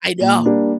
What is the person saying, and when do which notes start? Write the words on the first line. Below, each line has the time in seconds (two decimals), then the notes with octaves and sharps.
I know.
0.20 A#2
0.45 G3 A#3 D4